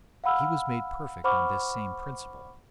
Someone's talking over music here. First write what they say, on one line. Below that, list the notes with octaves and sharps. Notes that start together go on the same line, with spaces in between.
He was made perfect on this same principle.
F5 F#5 B5 E6 F6
C5 F#5 B5 C#6 D6 F6